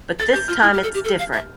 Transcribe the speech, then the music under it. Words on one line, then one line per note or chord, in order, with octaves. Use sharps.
But this time, it's different.
A4 A6
G4 G6
F4 F6
E4 F6
G4
A4
G4
A4
F5
E5